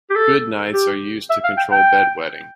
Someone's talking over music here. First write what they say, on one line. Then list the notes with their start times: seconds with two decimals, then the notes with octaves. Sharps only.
GoodNites are used to control bedwetting.
0.10 G4
0.16 A4
0.74 G4
1.30 E5
1.44 F5
1.57 G5
1.72 G5